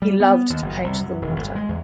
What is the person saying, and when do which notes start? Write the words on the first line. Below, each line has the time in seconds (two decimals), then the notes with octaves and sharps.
He loved to paint the water.
0.02 G3
0.20 B3
0.50 D#2
0.62 F#1
0.84 C2
1.00 F#2
1.22 E1
1.40 G1
1.55 G#3
1.69 E2